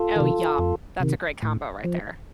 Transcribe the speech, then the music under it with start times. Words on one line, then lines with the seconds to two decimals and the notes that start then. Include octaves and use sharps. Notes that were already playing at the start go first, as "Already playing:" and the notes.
Oh, yum. That's a great combo right there.
Already playing: F4 A4
0.16 C3 D#3
0.58 F2
1.00 C3 D#3
1.43 A2
1.84 F3